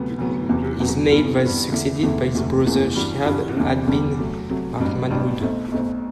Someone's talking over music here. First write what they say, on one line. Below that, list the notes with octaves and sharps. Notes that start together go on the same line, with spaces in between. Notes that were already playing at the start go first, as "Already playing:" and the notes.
Ismail was succeeded by his brother Shihab ad-Din Mahmud.
Already playing: D2 C3 F#3 B3
D2 C3 F#3 B3
E2 C3 F#3 B3
E2 C3 F#3 B3
G2 E3 B3
G2 E3 B3
E2 D3 A3 E4
E2 D3 A3 E4
F#1 E2 C3 E3 A3
F#1 E2 C3 E3 A3
G2 E3 G3 D4 F#4
G2 E3 G3 D4 F#4
E2 D3 G3 D4
E2 D3 G3 D4
C3 F#3 A3
C3 F#3 A3
A1 G2 F#3 B3 D4
A1 G2 F#3 B3 D4
B1 B2 A3 C4
B1 B2 A3 C4